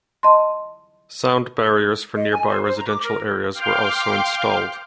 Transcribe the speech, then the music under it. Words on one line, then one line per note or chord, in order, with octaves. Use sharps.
Sound barriers for nearby residential areas were also installed.
D#5 A5 C6
D#5
G#5
C5
C5
A#5
D6
A#4
F5 G5 C6 D6 F6 G6